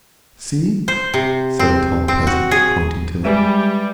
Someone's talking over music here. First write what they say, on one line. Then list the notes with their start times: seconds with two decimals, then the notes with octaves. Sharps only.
"See!" said a tall peasant, pointing to it.
0.88 C5
1.14 C3
1.59 C4
2.08 C4
2.27 F#4
2.51 G#4
3.25 G3 G#3 B4 E5